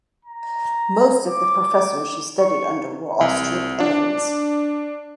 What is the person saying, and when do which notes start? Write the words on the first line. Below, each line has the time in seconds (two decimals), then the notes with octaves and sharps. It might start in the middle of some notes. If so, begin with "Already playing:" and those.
Most of the professors she studied under were Austrian emigrants.
0.25 A#5
1.28 D6
2.40 C#6
3.21 C2
3.80 D4